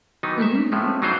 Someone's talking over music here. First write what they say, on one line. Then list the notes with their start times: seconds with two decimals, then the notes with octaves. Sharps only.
Mhm, mhm.
0.23 D#3 E3 F#3 B3 D#4
0.42 E5
0.72 A2 F3 G#3 A3
1.02 E3 F#3 D#4 F4 G#4 C5